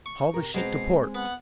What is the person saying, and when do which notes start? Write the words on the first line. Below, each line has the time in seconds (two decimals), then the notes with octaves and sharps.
"Haul the sheet to port!"
0.06 C#6
0.34 C3 A#4
0.54 B2 G#3 C4 C5 A#5 C7
1.15 B3 F#5